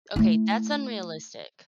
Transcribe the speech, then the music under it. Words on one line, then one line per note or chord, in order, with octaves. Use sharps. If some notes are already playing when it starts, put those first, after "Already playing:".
Okay. That's unrealistic.
A3 E4